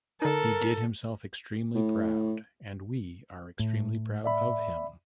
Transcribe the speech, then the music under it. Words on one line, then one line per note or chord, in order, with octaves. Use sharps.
He did himself extremely proud and we are extremely proud of him.
D3 D#4 A4 A#4
A2
A2
D5 E5 B5